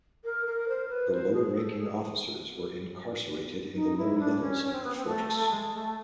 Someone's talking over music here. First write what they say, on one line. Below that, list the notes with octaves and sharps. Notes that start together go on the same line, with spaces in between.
The lower-ranking officers were incarcerated in the lower levels of the fortress.
A#4
A#4
C5
B4
C5
G#4
A4
G#4
D#4
E4
D4
C#4
C#4
C4
B3
C4
A3
G#3
A3